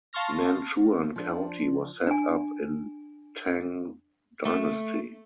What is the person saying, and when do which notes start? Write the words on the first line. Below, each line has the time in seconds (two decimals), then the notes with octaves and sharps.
Nanchuan county was set up in Tang Dynasty.
0.13 F5 A5 C6 C#6 F6 A#6
1.16 F3 D4
2.07 D4 G#5
4.45 A3